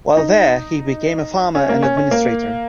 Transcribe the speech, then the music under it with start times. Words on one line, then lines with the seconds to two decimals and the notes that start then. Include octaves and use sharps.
While there he became a farmer and administrator.
0.17 D#4
1.55 C#4
1.69 A#3
1.82 C#4
1.97 C#4
2.11 A#3